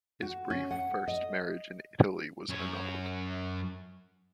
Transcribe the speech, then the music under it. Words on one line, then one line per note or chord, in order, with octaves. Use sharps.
His brief first marriage in Italy was annulled.
F#4
C#4
F#5
D#5
F#2 C#5